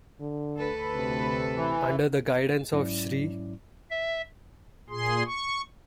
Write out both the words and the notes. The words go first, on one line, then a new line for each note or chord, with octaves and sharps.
Under the guidance of Shri.
D3
D2 A4 B4
C3
E3
G#2 F#3 C#4 E4 D5
E5
A#2 G#4 C6
C#6